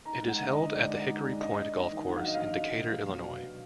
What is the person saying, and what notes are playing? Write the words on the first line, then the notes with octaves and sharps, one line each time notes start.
It is held at the Hickory Point Golf Course in Decatur, Illinois.
D#4 A#5
G#3
F#5
D3
D#5
D#4
G#3 D5
G#3
D#4
G#3
D4 D#5
D4
D4
D#3
F#3 F#5
F5
D4 D#5
F5
F#3
D4
B2
F#3
F#3
B2
B2